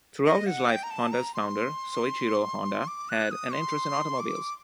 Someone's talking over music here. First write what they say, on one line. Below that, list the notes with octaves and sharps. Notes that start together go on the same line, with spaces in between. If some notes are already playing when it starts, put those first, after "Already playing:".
Throughout his life, Honda's founder, Soichiro Honda, had an interest in automobiles.
D#5
F#5
G5
A#5
A5
A#5
C6
D6
F#6
D#6
C6
D6